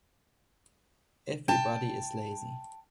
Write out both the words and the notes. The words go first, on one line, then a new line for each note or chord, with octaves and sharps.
Everybody is lazy!
G5 A5